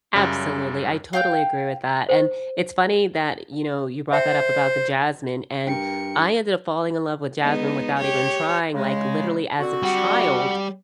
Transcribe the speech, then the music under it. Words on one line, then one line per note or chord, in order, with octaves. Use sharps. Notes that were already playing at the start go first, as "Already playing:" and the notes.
Absolutely. I totally agree with that, and it's funny that you know, you brought that up about the jasmine and I ended up falling in love with jasmine without even trying, like literally as a child.
F#2 C#3 G3
F5 G5 G6
C5
C5 E5 G5
G2 A#4 G5 C#7
G#3 B3 D#4
G4 C#5
C#3 G#3
D3 C4 F#4
G3 F#5